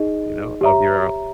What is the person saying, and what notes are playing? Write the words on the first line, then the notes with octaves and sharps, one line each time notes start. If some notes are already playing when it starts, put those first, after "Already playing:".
you know, of your, uh
Already playing: D#4 G#4 D#5
G4 C#5 E5 A#5